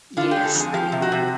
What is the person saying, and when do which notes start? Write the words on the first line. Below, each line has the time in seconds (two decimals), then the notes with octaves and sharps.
Yes, they are.
0.17 D3 F4
0.31 G#3 G4
0.46 A4
0.55 F2
0.60 G#4
0.74 F3 G4
0.92 C3
1.02 F#4
1.12 C3